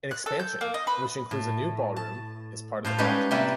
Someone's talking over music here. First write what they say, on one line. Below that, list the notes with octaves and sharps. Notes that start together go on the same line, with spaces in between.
An expansion, which includes a new ballroom, is part of the project.
F#6
A4
G6
A#3
D#5
B4
A2
A5
A2 C5 F5 A5
G3 G#3 C#4 D#4 G4 B4
C3 G3 A#3 E4 F4 B4